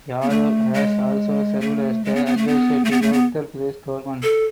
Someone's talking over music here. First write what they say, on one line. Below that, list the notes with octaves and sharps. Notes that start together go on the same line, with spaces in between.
Yadav has also served as the advisor to the Uttar Pradesh government.
B3
A3
G#3
A3
G#3
B3
B3
A3
B3
A3
B3
A3
B3
A4